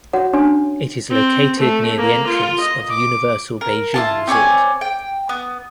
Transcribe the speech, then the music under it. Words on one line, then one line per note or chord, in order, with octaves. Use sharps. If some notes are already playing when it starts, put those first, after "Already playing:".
It is located near the entrance of Universal Beijing Resort.
F#4 C#5 F#5
C#4 D4 C#5 G#5 C6
C4
A3
A#3
F4
D#5
D6
A#4
E4 F4 A5
C4 C#5 D5 G#5
G5
B3